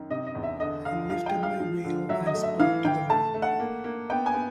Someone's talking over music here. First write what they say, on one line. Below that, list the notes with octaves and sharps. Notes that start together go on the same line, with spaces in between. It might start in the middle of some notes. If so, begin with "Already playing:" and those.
I lifted my veil and spoke to the woman.
Already playing: F#2 D#3
C3 D#5
D#5
E2
E5
D3 D#5
D3 F5
F3 F5
G5
G#3
F5
F3
D3
F#3 E5
D#5
A3
E5
E3 F5
E3 G5
A3 A5
A3
F#5
A#3
A#3
B3 G5
G#5
B3